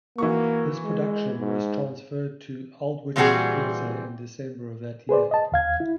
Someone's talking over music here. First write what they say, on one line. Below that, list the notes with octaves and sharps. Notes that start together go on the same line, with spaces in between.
This production was transferred to the Aldwych Theatre in December of that year.
E3 A#3 F#4 C#6
G#3
G#2
A#2 E3 G3 C4 F#4 G#4
G#4 B4 C5 D5
D#5 A5
D#2 F5 G#6
E4